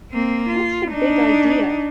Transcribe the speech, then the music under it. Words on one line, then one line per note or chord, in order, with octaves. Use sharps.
What's the big idea?
A#3 C4
F4
D4 D#4